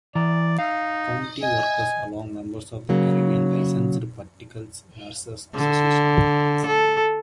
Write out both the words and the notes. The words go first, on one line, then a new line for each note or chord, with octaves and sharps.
County workers along members of the Canadian Licensed Practical Nurses Association.
E3 D5 A#5
D#4 F5
D#5 G#5
C#3 F#3 A#3
D3
A4